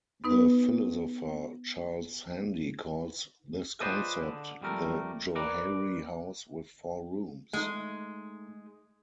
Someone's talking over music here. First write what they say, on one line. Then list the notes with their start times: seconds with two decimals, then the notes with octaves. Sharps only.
The philosopher Charles Handy calls this concept the Johari House with four rooms.
0.24 B3 D#4 B4
3.81 F4 G#4 B4 C5 D5 D#5
4.23 D3
4.61 F2 G3 A3 A#4 A#5
5.35 A#4 B4 D5 A#5
7.53 G#3 A3 D#4